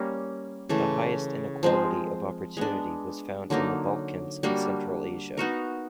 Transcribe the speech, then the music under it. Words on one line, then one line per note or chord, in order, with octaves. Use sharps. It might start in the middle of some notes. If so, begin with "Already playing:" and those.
The highest inequality of opportunity was found in the Balkans and Central Asia.
Already playing: G3 A#3 C#4
C#3 E3 A3
F3 G#3 C4
G#3 B3 D4
D3 F#3 A#3 D#4
G3 A#3 D4 F#4
B3 D#4 F#4 A#4